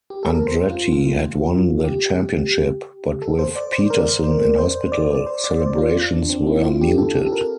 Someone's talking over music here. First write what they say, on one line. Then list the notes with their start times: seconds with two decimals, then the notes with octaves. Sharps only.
Andretti had won the championship, but with Peterson in hospital, celebrations were muted.
0.10 G4
0.23 A4
0.35 A#4
0.47 C5
0.70 F4
0.93 F4
1.84 G4
3.22 A4
3.39 C5
3.56 D5
3.73 C5
3.90 A#4
4.24 C5
4.58 C5
4.92 D5
5.27 C5
5.44 D5
5.61 C5
5.78 F4
6.13 D4
6.30 C4
6.47 E4
6.64 F4
6.81 G4
6.98 A4
7.16 G4
7.27 A4
7.32 A#4